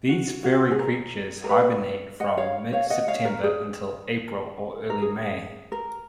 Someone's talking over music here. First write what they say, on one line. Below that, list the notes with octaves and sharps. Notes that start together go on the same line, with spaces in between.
These furry creatures hibernate from mid-September until April or early May.
F#4
F#4
G#4
A#4
A#4
B4
D#5 F#5
C#5 F5
C#5 F5
D#5 F#5
C#5 F5
A#4
G#4
A#4
G#4
A#4